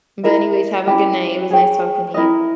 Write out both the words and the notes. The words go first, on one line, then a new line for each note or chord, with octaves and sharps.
But, anyways, have a good night, it was nice talking to you.
E4 A#4 E5
C#4 E4 G4
G#4 C#5 G5
E4 A#4 D#5